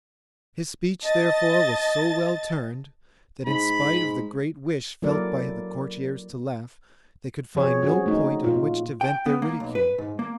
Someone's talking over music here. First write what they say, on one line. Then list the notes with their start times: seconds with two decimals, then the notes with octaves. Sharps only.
His speech, therefore, was so well turned, that in spite of the great wish felt by the courtiers to laugh, they could find no point on which to vent their ridicule.
1.03 D#5 A5 A6
3.46 G#2 B5
5.02 F#3 A#3 E4 A4 A#4 D5
7.55 F3 C4 G#4 C#5
7.82 C4 C#4 F#4 G#4
8.06 A3 A#3 D#4
8.44 A#2 F4
9.01 G5
9.26 B3
9.42 A#3
9.60 B1
9.75 B4
9.98 G#2
10.19 A#3